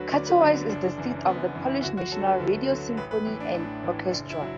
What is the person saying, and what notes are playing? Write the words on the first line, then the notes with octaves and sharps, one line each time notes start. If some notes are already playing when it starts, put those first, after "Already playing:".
Katowice is the seat of the Polish National Radio Symphony and Orchestra.
Already playing: D2 D3 F#3 F#4 B4
D2 D5
B4
D3 F#3 D4
F#1 D4
F#2 E3
F#1 B3
B3
F#2 E3
E4
D2 F#4
F#4
D3 F#3 A4
B4
D2 A4
D3 F#3
A1 B4
B4
A2 E3
D4
A1 D4
A2 E3
F#1 D4
E4
F#3